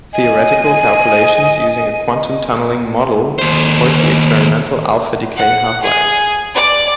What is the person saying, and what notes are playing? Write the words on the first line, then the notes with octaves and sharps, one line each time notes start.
Theoretical calculations using a quantum-tunneling model support the experimental alpha-decay half-lives.
D#5 G#5
D#2 C5
F#5
G#4
D5